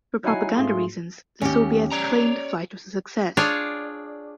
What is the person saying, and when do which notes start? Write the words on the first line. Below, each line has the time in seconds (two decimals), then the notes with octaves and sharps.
For propaganda reasons the Soviets claimed the flight was a success.
0.24 F#3 D#4 E4 F#5 G#5 C7
0.55 G#2 A3 F4 G#4 C6
1.42 D#2 C#4 G4
1.92 C#5 D5 A#5
3.37 D4 F4 G#4 C#5 D5